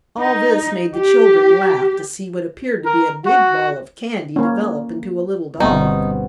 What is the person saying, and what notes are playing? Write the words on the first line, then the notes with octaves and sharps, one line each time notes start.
All this made the children laugh to see what appeared to be a big ball of candy develop into a little dog.
D#4
G4
A#4
F#4
A#3 C#4
G1 B2 C4 D#4